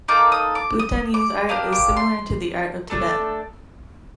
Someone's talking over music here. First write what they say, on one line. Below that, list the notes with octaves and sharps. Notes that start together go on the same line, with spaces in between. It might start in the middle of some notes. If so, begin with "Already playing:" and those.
Bhutanese art is similar to the art of Tibet.
A#3 D#4 A4 D6
D#6
D6
D#6
D6
A#3 D4 G4 D#6
D6
C6
A3 D4 A4